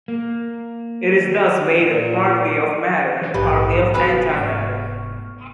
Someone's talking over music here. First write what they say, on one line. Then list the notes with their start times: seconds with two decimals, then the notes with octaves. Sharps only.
It is thus made partly of matter, and partly of antimatter.
0.08 A#3
1.79 A#2
3.22 E3
3.34 A#1 G#2 A3 B3 G4
3.94 F1 B3 F#4 B4 G#5 B5 E6
4.35 G#2 C#6 F6